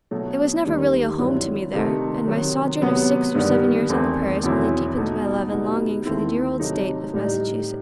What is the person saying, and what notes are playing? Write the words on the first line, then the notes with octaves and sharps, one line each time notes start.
It was never really home to me there, and my sojourn of six or seven years on the prairies only deepened my love and longing for the dear old State of Massachusetts.
B2 F#3 A3
D#2 D#3 G3 D#4
G2 F#3 C4 E4
C3 D#3 A3 D#4
C3 D#3 F#3
C3 F#3 B3
G2 D#3 G3 B3
E2 D#3 A3 C4
E2 B2 F#3 C4 E4
B2 A3 D#4
B2 G3 B3 D#4
D#2 D#3 A3 C4 E4
C3 F#3 A3 D#4
A2 G3 D#4